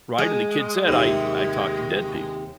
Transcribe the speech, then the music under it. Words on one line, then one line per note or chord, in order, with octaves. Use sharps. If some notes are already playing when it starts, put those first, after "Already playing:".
Right, and the kid said, "I I talk to dead people."
G#3
D#2 C3